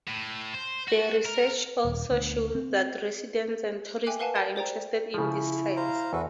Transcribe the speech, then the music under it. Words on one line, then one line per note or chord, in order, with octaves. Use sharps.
The research also showed that residents and tourists are interested in these sites.
A2
C5
F#4
A#4
D#1
D2
C4
E5 G5 G#5 D6 F#6
A#4 B4 F5 F#5 G#5 A5
A#4 D5 A5
C5 D5 G5 A#5
C#3 F3 E4
C5 F5 A#5
E2 F#4 A4 B4